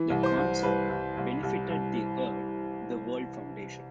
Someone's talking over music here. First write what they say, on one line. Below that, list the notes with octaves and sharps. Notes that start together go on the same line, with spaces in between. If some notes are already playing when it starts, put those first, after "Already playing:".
The concert benefited the Heard the World Foundation.
Already playing: E3
C2
C5
C2
C2 B4
C2
C2
C2
C2